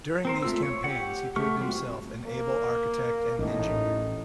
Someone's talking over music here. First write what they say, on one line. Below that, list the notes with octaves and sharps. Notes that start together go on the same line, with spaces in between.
During these campaigns he proved himself an able architect and engineer.
C4 A#4 C5
A3 F4 E6
C#5
G4 F#5
A3 G4 C#6 F6
G3 C4 F4 F#4
A#3
A1 A2 D#4